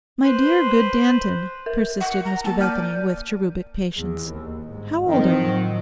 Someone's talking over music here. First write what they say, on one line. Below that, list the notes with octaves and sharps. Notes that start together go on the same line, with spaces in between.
'My dear good Danton,' persisted Mr Bethany with cherubic patience, 'how old are you?'
B4 C5
A#4
F#5
A#5
A#3 A5
D5 F6 G6 D#7
E2
D#2
G1 G#2
D#3 F3 C4
A2 F#3